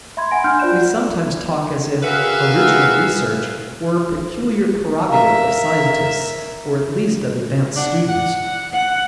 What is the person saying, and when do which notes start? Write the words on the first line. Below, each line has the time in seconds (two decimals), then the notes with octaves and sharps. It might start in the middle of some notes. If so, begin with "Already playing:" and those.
We sometimes talk as if "original research" were a peculiar prerogative of scientists or at least of advanced students.
0.17 E5 B5 C6 G#6
0.31 F#5 G#5 A#6 D7
0.44 D4 F#5 G5 C6 F6 G6
0.59 F4 C5 D5 F#6 G6 E7
2.03 F#4 G#4 A#4 B4 E5 F5
5.09 A#4 E5 F5 A#5
7.77 D4 F#5
8.09 F#5
8.72 F#5